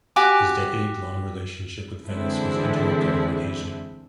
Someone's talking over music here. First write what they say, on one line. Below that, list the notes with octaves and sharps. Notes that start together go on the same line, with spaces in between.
His decade-long relationship with Venice was interrupted on occasion.
F#4 G4 G#5 D6
D3 E3 G#3 C4 D4 E4